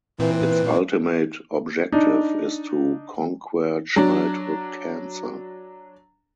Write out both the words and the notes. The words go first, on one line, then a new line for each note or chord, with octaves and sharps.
Its ultimate objective is to "conquer childhood cancer".
A#2 E3 C4 B4
D4 D#4
F#3 D4